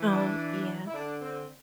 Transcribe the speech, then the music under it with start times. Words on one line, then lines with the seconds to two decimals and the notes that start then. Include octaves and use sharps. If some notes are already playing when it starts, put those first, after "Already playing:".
Oh, yeah.
Already playing: E3
0.11 D4
0.87 E4
0.93 D3 D4
1.21 C4